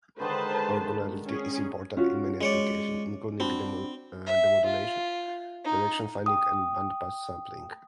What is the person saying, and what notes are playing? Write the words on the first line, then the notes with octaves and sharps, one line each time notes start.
Orthogonality is important in many applications, including demodulation, direction-finding, and bandpass sampling.
D3 D#3 G#3 B4 C5 A5
C#4 G#4
C#4 F4 F#4
G#3 C#5 D5
C4 D4 F#4 B5
E5
F4
D#4
G5 D#6